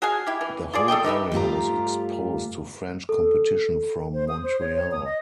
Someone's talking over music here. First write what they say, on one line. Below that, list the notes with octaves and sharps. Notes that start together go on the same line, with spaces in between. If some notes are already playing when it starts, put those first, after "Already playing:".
The whole area was exposed to French competition from Montreal.
F#4 G#4 F5 G#5
E4 G4
E3
F4 G#4 D5
A4 D5 D#5 G5
D#4 G4 B4 E5
G2 A3 F4 G4 A#5
A4
C5
D#6
C5
C#5
C#5
D#6
D#5